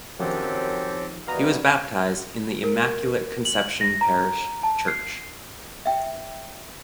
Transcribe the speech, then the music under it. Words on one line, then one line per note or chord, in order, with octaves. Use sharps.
He was baptized in the Immaculate Conception parish church.
F#2 D#3 F3 C4 C#4 G4 A4
B2 D#3 E3 G3 F5 A#5 D#6
A#4
F#7
A#6
A#5
A5
C7
E5 G5